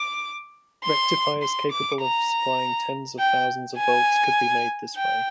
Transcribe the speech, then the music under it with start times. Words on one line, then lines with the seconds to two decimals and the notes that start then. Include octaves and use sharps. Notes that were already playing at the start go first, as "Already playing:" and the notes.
Rectifiers capable of supplying tens of thousands of volts could be made this way.
Already playing: D6
0.84 C6
1.42 C6
1.71 D6
2.02 A#5
3.19 G5
3.79 G#5
4.96 G5